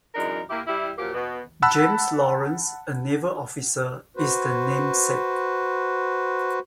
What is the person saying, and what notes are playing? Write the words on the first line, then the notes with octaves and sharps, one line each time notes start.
James Lawrence, a naval officer, is the namesake.
F#2 E3 G#3 D4 D#4 A#4
A#3 E4 G4
G3 E4
A#2 F3 F#3 A#3 G4
B2
F#5 A5 B5 E6 F#6
F#4 B4 C5